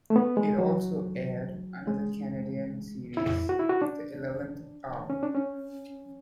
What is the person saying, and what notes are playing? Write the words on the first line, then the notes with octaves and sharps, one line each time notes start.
It also aired another Canadian series, "The Eleventh Hour".
A3
B3
G#3
F#3
G#3
E4
F#4
E4
F#4
D4
C#4
D4
C#4